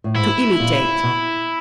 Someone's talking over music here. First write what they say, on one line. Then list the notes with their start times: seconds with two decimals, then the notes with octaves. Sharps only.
To imitate.
0.04 A2
0.16 G#2 E4
0.60 A#2
1.04 B2